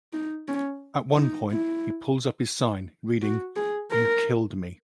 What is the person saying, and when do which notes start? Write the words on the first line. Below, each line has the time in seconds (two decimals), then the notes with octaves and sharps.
At one point he pulls up his sign, reading "You killed me".
0.13 D#4
0.48 C#4
1.16 D#4
1.51 E4
3.22 F#4
3.56 G#4
3.90 A#4